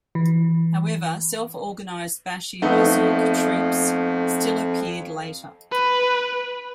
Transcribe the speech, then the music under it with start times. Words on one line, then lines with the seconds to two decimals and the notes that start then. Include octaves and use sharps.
However, self-organized bashi-bazouk troops still appeared later.
0.15 E3
2.62 F2 A3 B3 D#4
5.72 B4